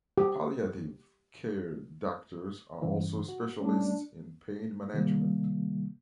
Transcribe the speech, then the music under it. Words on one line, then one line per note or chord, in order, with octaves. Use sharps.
Palliative care doctors are also specialists in pain management.
G4
G2 C#3 E3
F#4
G3 A3 C#4 D4
C3 D#3 G3 A#3